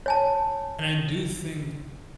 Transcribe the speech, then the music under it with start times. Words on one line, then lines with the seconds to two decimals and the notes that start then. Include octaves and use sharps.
And I do think
0.06 C#5 G#5 A5